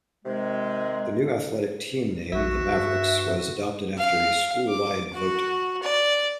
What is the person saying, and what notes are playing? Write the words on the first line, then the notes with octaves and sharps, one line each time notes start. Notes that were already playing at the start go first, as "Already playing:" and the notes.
The new athletic team name-the Mavericks-was adopted after a school-wide vote.
C3 D#3 G#3
A#1 F#4 E5
G2
F5
D6
F#4
D5